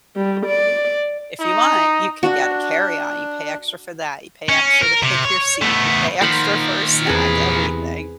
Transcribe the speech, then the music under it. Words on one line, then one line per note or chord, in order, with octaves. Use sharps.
if you want, you can get a carry-on, you pay extra for that, you pay extra to pick your seat, you pay extra for a snack, everything.
G3
D5
D#4
D4 F#4
C#4
A#4
C3
C#5
A3 B3
A#2 D#3 F3 C5 F#5 B5
E2 C3 G#4 B4